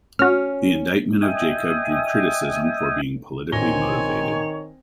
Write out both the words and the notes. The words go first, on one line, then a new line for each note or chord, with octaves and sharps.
The indictment of Jacob drew criticism for being politically motivated.
C#4 F#4 F6
D#5 E5 G5 G#5 D#6
A#1 D#3 C4 C#5 G#5 A#6 G7